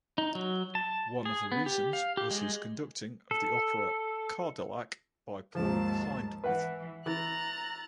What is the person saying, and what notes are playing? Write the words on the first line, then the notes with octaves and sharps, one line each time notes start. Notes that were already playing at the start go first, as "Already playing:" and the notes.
One of the reasons was his conducting of the opera "Cardillac" by Paul Hindemith.
D#4
F#3
A5
G#4
B3
G4
F5
G4
G#3
A4
D#2 G#2 F3 A5
E3 B4 F#5
E3 A#5 F#6 A6